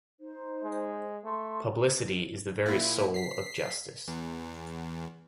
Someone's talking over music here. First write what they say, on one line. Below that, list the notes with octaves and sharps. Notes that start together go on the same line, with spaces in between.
Publicity is the very soul of justice.
D#4 C5
G#3
A3 C6
A#2 E4
B6 C7
E2